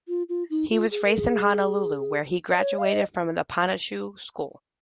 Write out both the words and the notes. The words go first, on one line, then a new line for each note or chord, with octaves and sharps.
He was raised in Honolulu where he graduated from Punahou School.
F4
F4
D#4
F4
G#4
A#4
G#4
D#5
C#5
F5
D#5